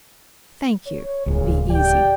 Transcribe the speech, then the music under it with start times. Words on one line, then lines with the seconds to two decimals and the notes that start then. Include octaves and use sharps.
Thank you; be easy.
0.87 C#5
1.26 D1 C#2 A#2 G#3
1.70 G4 D5 G5